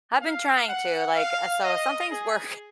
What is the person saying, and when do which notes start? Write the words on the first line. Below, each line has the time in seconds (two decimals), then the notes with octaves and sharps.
I've been trying to, like, so some things work
0.21 F5
0.68 F#5
1.15 F5
1.63 D#5
2.10 G#4